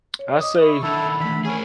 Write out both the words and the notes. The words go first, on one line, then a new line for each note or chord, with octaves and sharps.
I say
C#5
D#5 D6 D#6
E4 C#6
D#3 D4 E4 A4
E3 A3 B5
C#4 G#4 A#4